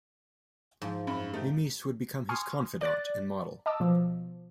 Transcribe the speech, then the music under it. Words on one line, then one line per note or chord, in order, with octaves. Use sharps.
Mimise would become his confidant and model.
G#2 F3
F#2 B5
A3 D#4 G4
G#5 C6 C#6 D#6 F6
D5 F#6 A6
D#5 A5 D6 E6
B2 F3